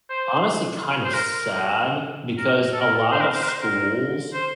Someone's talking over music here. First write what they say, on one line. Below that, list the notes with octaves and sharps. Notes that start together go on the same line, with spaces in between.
honestly kind of sad, because a lot of schools
C5
C5
A#4
A#4
A4
A#4
C5
A#4
C5
A#4
C5
A#4
C5